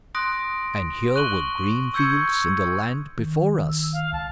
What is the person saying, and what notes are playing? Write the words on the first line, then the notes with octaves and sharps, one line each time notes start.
And here were green fields in the land before us.
C6 D#6 F#6 A#6 D7
C#6 F#6 D#7 F#7 G7
C#6 E6 G6 G#6 C#7
D#3
E6
F5
C#2 A5